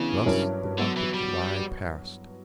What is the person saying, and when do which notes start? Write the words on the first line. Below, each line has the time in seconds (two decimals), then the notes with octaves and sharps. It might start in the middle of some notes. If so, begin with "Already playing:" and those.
Thus the month of July passed.
Already playing: C#3 E3 B3 D4
0.26 G2 F#3 C#4 E4 A#4
0.78 D3 F#3 B3 F#4
0.96 E3
1.14 G3